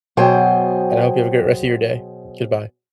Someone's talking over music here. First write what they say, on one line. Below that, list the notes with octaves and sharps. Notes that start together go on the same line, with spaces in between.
and I hope you have a great rest of your day, goodbye.
B2 F#3 G#4 C5 G5